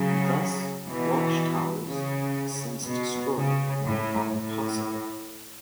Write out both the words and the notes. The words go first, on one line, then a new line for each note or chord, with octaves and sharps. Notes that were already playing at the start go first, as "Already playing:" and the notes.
Thus, watch towers, since destroyed, are possible.
Already playing: C#3 F#3
B2 E3
C#3
B2
C#3
A2
A2